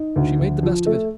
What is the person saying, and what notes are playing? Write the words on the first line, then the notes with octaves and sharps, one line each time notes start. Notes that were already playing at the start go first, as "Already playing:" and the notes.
She made the best of it.
Already playing: D#4
D2
D2
F3
A3